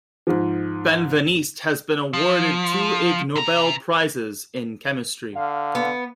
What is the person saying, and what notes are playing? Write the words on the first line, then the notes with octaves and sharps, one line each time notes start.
Benveniste has been awarded two Ig Nobel Prizes in Chemistry.
G#2 F3
F3
C3 A#5
D3 F5
B3